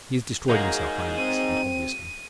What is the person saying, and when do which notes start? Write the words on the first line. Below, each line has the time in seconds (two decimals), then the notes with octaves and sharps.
He has destroyed himself by an accident, obviously.
0.49 F#3 G#3 A#3 D#4 G#4
1.17 C4 D#7